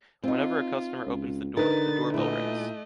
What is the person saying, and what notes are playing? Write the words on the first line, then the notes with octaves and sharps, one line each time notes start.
Whenever a customer opens the door, the doorbell rings.
C4 D#4 F4
C#2
D3 D#4 A#4 B4 A6
A#2 A3 E4 D#5